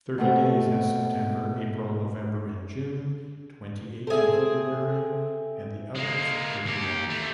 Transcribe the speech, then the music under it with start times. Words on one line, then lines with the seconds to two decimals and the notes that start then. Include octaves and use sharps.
Thirty days has September, April, November and June, twenty-eight in February, and the others thirty-one.
0.18 B2 A3 B3 C4
4.07 C4 G#4 A4 E5
5.96 G#3 A#3
6.65 D#2 G4
7.10 A3 G4